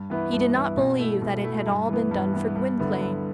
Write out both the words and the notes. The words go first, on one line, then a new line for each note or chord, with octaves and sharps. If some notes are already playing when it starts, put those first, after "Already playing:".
He did not believe that it had all been done for Gwynplaine.
Already playing: G2
E3 B3 E4
G2
E3 B3 E4
B2
A3 E4
B2
A3 E4
G2
E3 B3
G2
E3 B3
G2
D3 B3 E4
G2